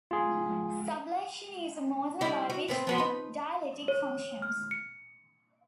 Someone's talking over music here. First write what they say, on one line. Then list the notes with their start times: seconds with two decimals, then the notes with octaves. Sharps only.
Sublation is the motor by which the dialectic functions.
0.11 F4 G#4
2.21 G3 D#4 E4
2.50 F#4
2.68 A2 B3 C4
2.87 F3 B3 C4
2.98 D#4 B4
3.88 C#5
4.42 F6
4.71 C#7